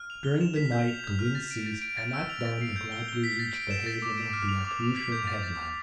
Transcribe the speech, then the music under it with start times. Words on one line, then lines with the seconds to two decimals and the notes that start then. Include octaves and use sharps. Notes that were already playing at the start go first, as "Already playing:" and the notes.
During the night the wind ceased and at dawn they gladly reached the haven of the Acherusian headland.
Already playing: F6
0.10 F7
0.24 G7
0.41 E7
0.56 B6
0.72 G6
0.88 F7
1.04 G6
1.19 F6
1.35 A6
1.51 D7
1.66 A6
1.82 D7
1.97 A6
2.13 E6
2.29 F7
2.45 A6
2.61 C7
2.76 G6
2.92 G7
3.08 G7
3.24 B6
3.39 A6
3.54 D7
3.71 E7
3.86 A6
4.02 D6
4.17 D7
4.33 F6
4.49 F7
4.65 D6
4.80 D6
4.96 B6
5.12 G6
5.27 A6
5.43 A6
5.59 G6